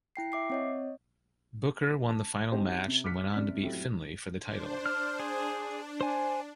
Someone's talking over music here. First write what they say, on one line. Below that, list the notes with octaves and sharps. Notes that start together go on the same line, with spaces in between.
Booker won the final match and went on to beat Finlay for the title.
E4 G5 C7
E5 D6 C7
C4 C#5 D#5
A5
C4 D#4 G4 C5
C3
D6 F6 F#6 B6 C#7
F#2 C3 D5 F6 B6
F2 A2 F#3 G3
D4 C5
F6
G#4
D4
C5 G#5